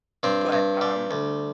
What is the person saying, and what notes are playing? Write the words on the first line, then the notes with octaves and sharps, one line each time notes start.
But, um,
G2 C4
G2
G3
D2